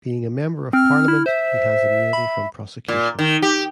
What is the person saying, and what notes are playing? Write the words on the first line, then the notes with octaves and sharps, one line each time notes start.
Being a member of Parliament, he has immunity from prosecution.
C4 F6
E4
C5 E5
B5
A#2
D#3
G4